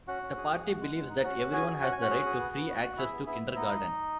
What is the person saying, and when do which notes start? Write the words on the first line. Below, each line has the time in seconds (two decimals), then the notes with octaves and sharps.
The party believes that everyone has the right to free access to kindergarten.
0.08 C#4 F#4 F#5
0.23 C#4
0.37 G#4
0.52 G#4
0.67 F#4
0.81 G#3
0.95 G#3
1.09 D#4
1.24 C#4 F#4 F#5
1.38 C#4
1.52 F#4 G#4 G#5
1.67 F#4
1.82 C#4 F#5
1.92 C#4 G#5
2.02 F#4 F#5
2.10 G#4
2.26 G#4
2.39 B3
2.55 B3
2.69 F#4
2.83 F#4
2.97 E4 G#4 E5
3.13 B3
3.26 B3 E4 E5
3.41 E4
3.55 B3 D#4 D#5